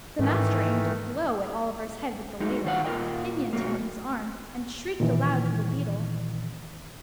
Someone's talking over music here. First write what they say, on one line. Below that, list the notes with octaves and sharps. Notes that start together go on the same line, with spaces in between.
The master aimed a blow at Oliver's head with the ladle; pinioned him in his arm; and shrieked aloud for the beadle.
G#2 D#3 E3 A3
A2 F#3 G#3 D#4
D#3 D#4 F4 C5 E5 F#5
A#2 F4 A#4 D#5 G5
B2 F#3 A3 A#3
A#2 D#3 E3